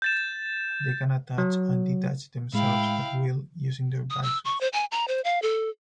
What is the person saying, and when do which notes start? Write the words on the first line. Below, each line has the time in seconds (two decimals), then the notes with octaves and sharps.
They can attach and detach themselves at will using their byssus.
0.02 G6 A6 E7
1.38 F#3
2.53 A2 G#3 E4 F5 G5 B5
4.10 D#6
4.23 E6
4.45 C#6
4.61 C5
4.73 G#5
4.92 A#5
5.08 C5
5.24 F5
5.42 A4